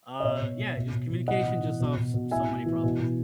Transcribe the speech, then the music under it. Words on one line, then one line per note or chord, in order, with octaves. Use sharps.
Uh, yeah, just communication just solves s so many problems.
D#5
B2 C#5 E5
B2
B2
B2
B2
B2
A2 D#5 F#5
E3
E3
B2
B2
B2
A2 E5 G#5
A2
E3
B2
B2